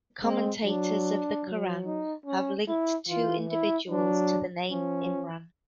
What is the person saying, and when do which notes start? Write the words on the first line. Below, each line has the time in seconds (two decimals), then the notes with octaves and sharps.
Commentators of the Quran have linked two individuals to the name Imran.
0.23 G#3 C4
0.64 F#3 D4
1.45 F#3
1.86 D#4
2.26 C#4
2.68 E4
3.08 E3 F4
3.49 E4
3.89 F#3 D4
4.70 F3 C#4